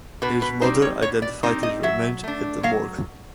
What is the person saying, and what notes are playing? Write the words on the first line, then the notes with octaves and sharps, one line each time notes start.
His mother identified his remains at the morgue.
B2 B4
B4
G3 C4 D#4 C5
C#5
B2 C#5
D5
G3 C4 D#4
D#5
F#3 E5
A3 D4
F#3 F5